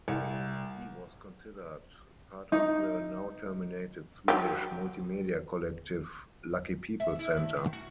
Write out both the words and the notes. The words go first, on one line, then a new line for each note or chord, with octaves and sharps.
He was considered part of the now terminated Swedish multimedia collective Lucky People Center.
C2
D#4
F#3 G4
E5
E4
G2
D#3
F#4